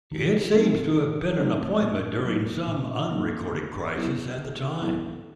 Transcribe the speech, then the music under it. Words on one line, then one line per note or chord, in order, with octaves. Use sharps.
It seems to have been an appointment during some unrecorded crisis at the time.
D#3
F#3 A3 C4 D#4
D#3
F#3 A3 C4 D#4
A#2
F#3 A#3 D#4
A#2
F#3 A#3 D#4
D3
F#3 B3 E4 A4
D3
F#3 B3 E4 A4